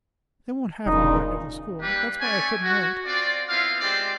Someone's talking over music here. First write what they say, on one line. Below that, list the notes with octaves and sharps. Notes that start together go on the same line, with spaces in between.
They won't have me back at the school--that's why I couldn't write.
E1 G2 A#2 C#3 D#4
G3 A#3 G4 B4
A3 C#4 C#5 D5 G#5
F#4
C4 F4 D5
B3 C4 E4 F4 F5
G#3 C4 G4 C5 D5